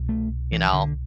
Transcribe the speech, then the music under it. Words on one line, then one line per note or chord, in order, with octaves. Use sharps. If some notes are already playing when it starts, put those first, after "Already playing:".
you know?
Already playing: C2 B2
A3
E3
D3